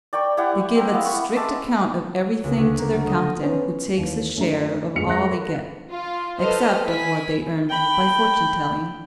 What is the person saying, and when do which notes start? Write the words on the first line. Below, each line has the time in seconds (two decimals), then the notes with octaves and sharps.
They give a strict account of everything to their captain, who takes his share of all they get, except of what they earn by fortune-telling.
0.13 D5 G5 A#5 C#6
0.37 E4 G4 F#5
0.75 C4 A#4
0.93 B3 E4 F5
1.05 F#5 B5 C#6
1.36 G#3 E5 A5 D6
2.44 C#2
2.57 D2
2.78 A#3
2.92 F#3
3.07 D#5
3.19 A#6
3.41 B3 C#4 C5 C#5
3.97 D#2 E3
4.36 F#2 A3 D4 A#5
4.96 G1 F2 G#3 C#7 F7
5.07 G#3 E5 F#6 A#6
5.27 A4 A#4 B5
5.90 F4
6.40 A4 B4 C5 D#5 F6
6.86 E4 G#5 B6
7.70 G5 B5